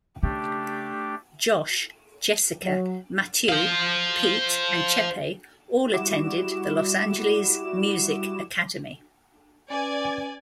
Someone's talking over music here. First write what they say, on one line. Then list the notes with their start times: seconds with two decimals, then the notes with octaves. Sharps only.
Josh, Jessica, Matthieu, Pete, and Chepe all attended the Los Angeles Music Academy.
0.23 C#3 A3 D4 G4
2.63 F#3
3.49 C5 F5
5.93 G3 E4 F#4 D6 E7
9.70 C#4 B4 D5 G#5